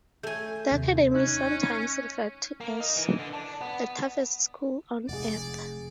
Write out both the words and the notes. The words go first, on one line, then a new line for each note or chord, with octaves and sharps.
The Academy is sometimes referred to as "The toughest school on earth".
A3 G#5 G6
D#2 C3
C#4 D#4 F#6
A#3
D#4
E3
D3
D5 A5
B3
F1 G#3 G#4 D5 F#5